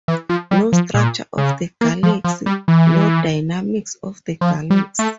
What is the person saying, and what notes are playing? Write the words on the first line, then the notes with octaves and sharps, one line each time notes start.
No structure of the galaxy, no dynamics of the galaxy.
E3
F3
G3
F3
A#2
C#3
A#3
F3
F3
G3
E3
F3
G3
A3